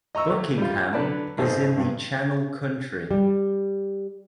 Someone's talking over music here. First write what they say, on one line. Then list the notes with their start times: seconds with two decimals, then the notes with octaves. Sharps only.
Buckingham is in the Channel Country.
0.15 D#5 A#5 C#6 E6
0.30 F#3 A3
0.58 G3 F4
0.93 D3 F#3 B4 D5 A5
1.38 G#1 B2 G#4 A4 C5
1.77 G2
3.11 G3